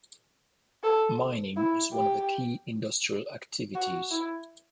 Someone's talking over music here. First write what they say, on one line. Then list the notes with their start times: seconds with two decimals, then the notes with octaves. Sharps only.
Mining is one of the key industrial activities.
0.83 A4
1.56 E4
1.93 G4
3.75 F#4
4.11 E4